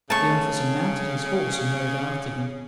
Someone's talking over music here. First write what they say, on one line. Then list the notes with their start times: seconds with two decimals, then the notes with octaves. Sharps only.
The officer mounted his horse and rode after him.
0.10 C#3 A3 A5 C#6